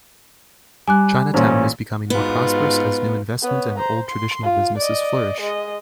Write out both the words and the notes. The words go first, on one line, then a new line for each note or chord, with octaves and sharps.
Chinatown is becoming more prosperous as new investment and old traditional businesses flourish.
G3 G#5 D6 F#6
A1 A#2 C#4 C5
G#2 B3 F4 F#4
B3 C#5
C5 A#5
C6
F4
D5 D#5
G#3 D#5